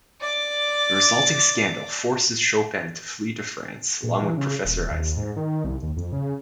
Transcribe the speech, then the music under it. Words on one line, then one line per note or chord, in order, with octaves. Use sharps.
The resulting scandal forces Chopin to flee to France, along with Professor Eisner.
D5 D6
A#2
E3
C#3
D#1
D#2
G#2
D#3
C2
D#2
F2
C#3